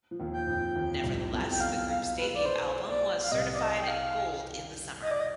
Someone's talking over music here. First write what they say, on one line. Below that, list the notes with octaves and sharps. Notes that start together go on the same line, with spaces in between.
Nevertheless, the group's debut album was certified Gold in the summer.
F3
D#2 D#3
G5
F2 F3
D#2 D#3
C2 C3
B1 B2
G5
F5
F5
B4
D5
C5
D5
F5
C2 C3 D#5
D5
D#5
G5
F5
D#5
D5
D#5